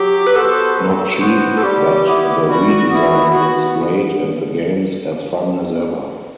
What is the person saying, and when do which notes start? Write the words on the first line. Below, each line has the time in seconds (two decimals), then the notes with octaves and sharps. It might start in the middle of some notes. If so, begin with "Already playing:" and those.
Not cheap, but the redesign looks great and the game's as fun as ever.
Already playing: F#3 G4
0.27 B4
0.35 B3 F#4 A4 C5
0.78 F#3
1.20 B3 F#4 C5
1.56 A4
1.62 G3 G4
2.06 B3 E4
2.48 G3 F#4
2.89 B3 E4
3.32 B3 F#4